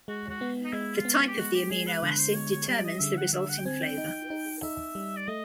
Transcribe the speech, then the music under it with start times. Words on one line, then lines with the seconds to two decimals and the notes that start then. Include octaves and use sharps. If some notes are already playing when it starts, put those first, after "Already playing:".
The type of the amino acid determines the resulting flavor.
0.08 G#3 F#4
0.30 F#4
0.41 B3
0.65 D#4
0.73 G#3 E4
0.95 F4
1.05 B3
1.16 F4
1.28 G4
1.38 G#3 F#4
1.54 G4
1.71 G#3 G#4
1.87 B4
2.03 D3 B4
2.19 C5
2.35 G#3 C#5
2.51 C#5
2.68 G3 D5
2.84 D#5
3.00 D3 E5
3.17 F#5
3.33 D3 E5
3.49 F#5
3.59 G5
3.65 C4 G#5
3.81 G5
3.98 D#4
4.30 D#4
4.63 D#4 E5
4.95 G3
5.17 D5
5.28 A3 D#5